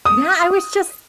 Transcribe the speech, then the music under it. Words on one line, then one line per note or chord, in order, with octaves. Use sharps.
Yeah, I was just
D#6